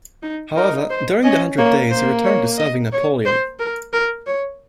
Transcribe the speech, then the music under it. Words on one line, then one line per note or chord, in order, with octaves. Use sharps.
However, during the Hundred Days he returned to serving Napoleon.
D#4
D#4 A#4
C5
C#4 D#5
A#3 C#5
A#3 C5
C#5
D#5
C#5
C5
A#4
A#4
C#5